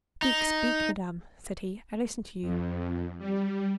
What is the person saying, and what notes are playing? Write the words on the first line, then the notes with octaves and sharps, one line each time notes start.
"Speak! speak, madame!" said he, "I listen to you."
D#4
F2
G3